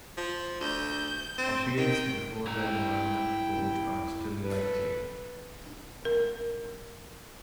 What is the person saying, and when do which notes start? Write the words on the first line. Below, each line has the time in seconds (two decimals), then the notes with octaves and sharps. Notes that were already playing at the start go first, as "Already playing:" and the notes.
Appeals before the Environment Court are still likely.
0.17 F3
0.61 D2 G6
1.38 C4
1.77 D#3 G5
2.47 E4 G5 A#5
4.43 A4 B4
6.05 A#4